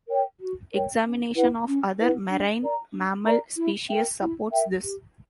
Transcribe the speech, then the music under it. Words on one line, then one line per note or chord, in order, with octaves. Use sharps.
Examination of other marine mammal species supports this.
A#4 C#5 G5
F#4
A#4 C#5 G5
C#4
E4 B4 F#5
C#4
E4 B4 F#5
D4
A#4 D5 A#5
D4
A#4 D5 A#5
E4
A#4 E5 G5
E4
A#4 E5 G5
G4